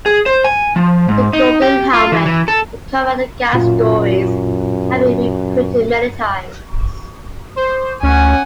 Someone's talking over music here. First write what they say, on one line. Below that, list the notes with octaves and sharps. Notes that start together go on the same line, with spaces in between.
"The Golden Helmet", the cover, and the gag stories have been reprinted many times.
G#4
C5
G#5
F3
G#2
D#4
G4
F4
E3
E3
A4
F#2 A#2 F4
C5
D2 C#4 F#5 G#5